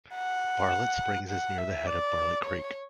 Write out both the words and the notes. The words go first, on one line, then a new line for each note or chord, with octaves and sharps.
Bartlett Springs is near the head of Bartlett Creek.
F#5
F#5
E5
D5
C#5